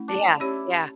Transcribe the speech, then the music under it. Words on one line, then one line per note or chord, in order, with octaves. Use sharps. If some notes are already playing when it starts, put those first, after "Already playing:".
Yeah, yeah.
Already playing: A3 C#4 E4
D4
C#4 E4 G4 C#5